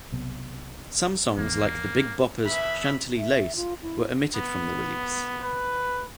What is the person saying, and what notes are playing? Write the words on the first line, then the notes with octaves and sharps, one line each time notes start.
Some songs like The Big Bopper's "Chantilly Lace" were omitted from the release.
B1 C3 B3
G#1 E2 A#3
B2 E3 E5 B5
E5
F4
E4
B3
B4